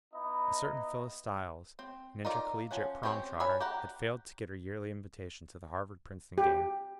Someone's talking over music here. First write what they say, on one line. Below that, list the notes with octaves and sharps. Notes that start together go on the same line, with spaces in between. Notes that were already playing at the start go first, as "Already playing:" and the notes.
A certain Phyllis Styles, an intercollegiate prom-trotter, had failed to get her yearly invitation to the Harvard-Princeton game.
B3 D#4 E4 D#5
C4
D#4 F4 A#4 D5
F3 C#4 F#5
C4 C#4 G4 C5 C#5
D4 C#5 G#5 B5
G4 A#4 F#5
G4